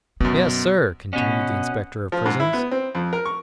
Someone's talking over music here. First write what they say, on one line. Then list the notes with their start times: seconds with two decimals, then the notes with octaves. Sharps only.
"Yes, sir," continued the inspector of prisons.
0.20 F#2 B2 B3
1.13 B2 C#4 D#5 F#5
2.12 F3
2.26 G#2
2.40 E4
2.53 B3
2.71 C4
2.95 F2
3.13 A#4
3.26 C#6